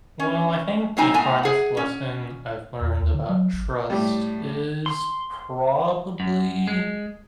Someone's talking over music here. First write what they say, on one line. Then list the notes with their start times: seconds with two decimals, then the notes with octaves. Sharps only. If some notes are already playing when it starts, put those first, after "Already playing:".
Well, I think the hardest lesson I've learned about trust is probably
0.20 C#4
0.97 A2 F#3 C4 D#4 G#5 A#5
1.14 A2 B3 G#5 A#5
1.43 G#4 F#5
1.77 C#4
2.81 E2
3.00 D#2
3.14 D3
3.29 F#3
3.53 G#1
3.90 A2 G3
4.86 C6
6.20 F#2
6.68 G#3